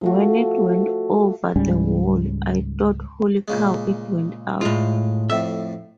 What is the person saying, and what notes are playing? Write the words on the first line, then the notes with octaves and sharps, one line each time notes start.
When it went over the wall, I thought, 'Holy cow, it went out.
F3 A3 F#4
C#2 G#2 G3 C#4
A#2 C#3 G#3
A2 G#3 F4
F2 A2 E5